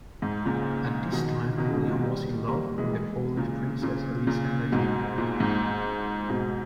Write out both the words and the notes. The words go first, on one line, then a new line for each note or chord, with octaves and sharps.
At this time, William was in love with the Polish Princess Elisa Radziwill.
G#2
A#2 C#3
B2 D#3
B2 D#3
G#2 B2
A#2
D#3 G3
G3 A#3
E3 G#3
E3 G#3
A#2 C#3
A#2 C#3
A#2 C#3
G#2 B2
A#2
G#2
G#2 B2